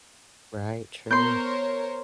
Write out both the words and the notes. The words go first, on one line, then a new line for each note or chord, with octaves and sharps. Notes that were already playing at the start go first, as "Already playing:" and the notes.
Right, true.
B3 A#4 C5 C#5 C6 G6